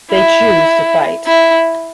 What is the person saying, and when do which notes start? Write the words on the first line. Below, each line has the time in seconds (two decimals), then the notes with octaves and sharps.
They choose to fight.
0.12 E4
1.27 E4